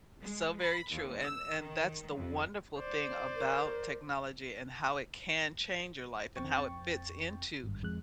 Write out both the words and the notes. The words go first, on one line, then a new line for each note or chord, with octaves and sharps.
So very true, an and that's the wonderful thing about technology and how it can change your life and how it fits into
G#3
B5
D#2
E6
D#3
F2
C5 D5
A#4
F2 C4 G5 C#6 A6
G#1 G2
F2 G#3 F#6